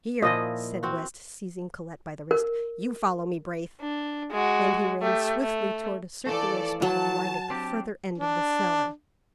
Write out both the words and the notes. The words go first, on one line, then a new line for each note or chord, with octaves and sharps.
"Here," said West, seizing Colette by the wrist, "you follow me, Braith!" and he ran swiftly toward a circular spot of light at the further end of the cellar.
A#2 F3 E4 D#5
C4 F#4
A#4
D4
G#3 F#4
A3 G4
A3
E3 F3 A3 A4 D5
F#3 A5
C4 D4 G4
D4